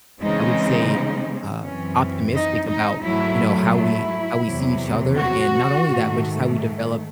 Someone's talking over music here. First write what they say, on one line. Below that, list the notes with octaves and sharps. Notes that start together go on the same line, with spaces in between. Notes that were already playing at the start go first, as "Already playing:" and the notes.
I would say, uh, optimistic about, you know, how we how we see each other, and not only that, but just how we develop,
C#3 E3 G#3 C4 D#4
F#2 E3 C4 C#4
D#4
D#4
G#2 F#3 A3 E4
E4
E2 C3 F#3
F#4
G#2 D#3 A3